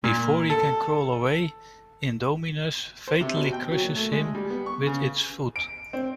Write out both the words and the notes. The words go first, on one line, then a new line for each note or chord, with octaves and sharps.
Before he can crawl away, "Indominus" fatally crushes him with its foot.
A#2
A4
C5
C3
B2
G5
F#3
A#2
A3
G#3
G3
B3
C#6
C#3
D7
C4